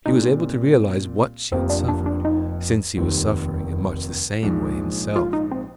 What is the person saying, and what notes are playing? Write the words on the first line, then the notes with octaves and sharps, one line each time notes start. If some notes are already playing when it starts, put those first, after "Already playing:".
He was able to realise what she had suffered, since he was suffering in much the same way himself.
A#2 G3 C4 D#4
F1 F2 C3 F3 A#3 C4
D4
D4
D4
D#4
F1 D#2 D#3 G3 C4
A#1 G#2 F3
F4
D#4
C4